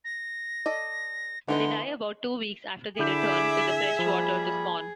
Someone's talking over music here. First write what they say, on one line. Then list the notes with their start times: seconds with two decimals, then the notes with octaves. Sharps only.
They die about two weeks after they return to the freshwater to spawn.
0.05 A#6
0.66 A4 D5 D#5
1.48 D3 E3 B3 D#4 C6
2.99 D3 E4 G#4 E5 B5 D6 G6
3.99 F3 G3 A#3 B5